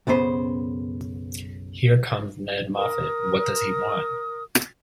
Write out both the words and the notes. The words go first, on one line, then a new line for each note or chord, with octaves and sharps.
Here comes Ned Moffat; what does he want?
B1 F#2 C#3 B3 C5
A#4 D#6